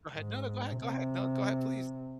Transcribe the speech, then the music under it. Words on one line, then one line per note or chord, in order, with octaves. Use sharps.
go ahead. No, no, go ahead, go ahead. No, go ahead, please.
G#2
C3